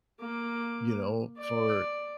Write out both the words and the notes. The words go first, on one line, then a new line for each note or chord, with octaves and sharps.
you know, for
A#3 D6
D5